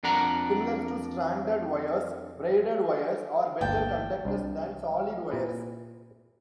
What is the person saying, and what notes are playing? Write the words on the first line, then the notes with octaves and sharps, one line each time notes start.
Similar to stranded wires, braided wires are better conductors than solid wires.
F2 D4 A#4 F#5 A#5
G1 D2 A#3 G5 A5
C2 D4
A#2 E4 B4